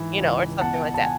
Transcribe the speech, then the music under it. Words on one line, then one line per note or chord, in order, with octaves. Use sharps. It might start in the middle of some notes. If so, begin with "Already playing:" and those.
you know, or something like that.
Already playing: G#2 E3
C#2
B2 F#5 A5
A5
G#5